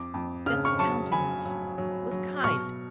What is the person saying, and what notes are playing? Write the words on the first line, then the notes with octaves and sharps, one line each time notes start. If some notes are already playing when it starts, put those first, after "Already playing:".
Death's countenance was kind.
Already playing: F2 D6
F2
C#3 F6
C#6 F6
F#3 A5 C#6
F#3 G#5 B5
F#3
F#3
F#3
B2 C#6 F6